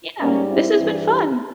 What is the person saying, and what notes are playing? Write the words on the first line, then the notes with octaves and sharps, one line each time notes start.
Yeah, this has been fun.
G#2 G3 A#3 C#4
C4 E4
G2 E3 G3
E4 G4